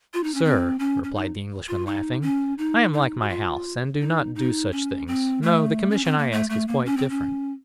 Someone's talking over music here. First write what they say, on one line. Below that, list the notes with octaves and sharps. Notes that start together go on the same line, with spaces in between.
"Sir," replied the Englishman, laughing, "I am like my house, and do not do such things--no, the commission I ask is quite different."
F4
D#4
C#4
C4
C#4
C#4
D#4
F4
D#4
C#4
D#4
D#4
F#4
F4
D#4
D#4
C#4
C4
A3
C#4
C4
A#3
A3
A3
A#3
C#4
C4
C#4